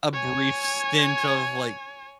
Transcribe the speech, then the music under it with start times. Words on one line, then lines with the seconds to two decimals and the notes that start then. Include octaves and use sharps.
a brief stint of, like,
0.13 C#5 G#5